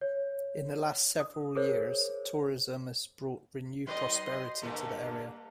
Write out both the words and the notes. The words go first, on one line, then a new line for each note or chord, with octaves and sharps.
In the last several years, tourism has brought renewed prosperity to the area.
C#5
D#6
G#4 A#4 C5 C#5
F#3 D#4 B4 D#5 C6
G2 D3 A3 A#3